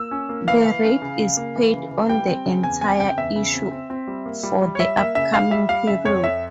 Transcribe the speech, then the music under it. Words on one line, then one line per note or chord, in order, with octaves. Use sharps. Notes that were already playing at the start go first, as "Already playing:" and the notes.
This rate is paid on the entire issue for the upcoming period.
Already playing: A#3 E6
C#4
A#3
E3 F5
E3
C#4
C#3
C#3
A#3
E3
C#3
E3
G3 G5
C4
C#3
E2 G#5
C4 G#5
C#3 G5
E2 E5
C#3
C4
C4
C4
G3
A#3
G3
G3
C#5
G3 E5
A#3 E5
C#3 E5
G3 F5
G3 E5
G3 F5
C#3 E5
F2 C#5
F2 E5